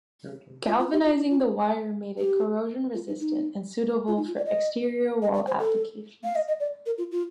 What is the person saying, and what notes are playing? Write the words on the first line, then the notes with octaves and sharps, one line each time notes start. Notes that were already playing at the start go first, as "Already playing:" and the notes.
Galvanizing the wire made it corrosion resistant and suitable for exterior wall applications.
F4
F4
G4
F4
D#4
F4
G4
F4
D#4
D#4
F4
D#4
F4
D5
D#5
D#5
D5
C5
A4
F5
D#5
D#5
D5
A#4
F4
F4